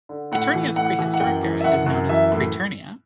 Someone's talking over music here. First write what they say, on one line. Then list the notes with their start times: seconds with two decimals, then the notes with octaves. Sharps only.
Eternia's prehistoric era is known as Preternia.
0.09 D3
0.32 A2 F#5
0.54 E3
0.76 A2 F#5
0.99 E3
1.14 F#5
1.20 F#2 G5
1.43 E3
1.61 E5
1.64 F#2 F#5
1.86 F#2
2.09 E3 E5
2.32 A2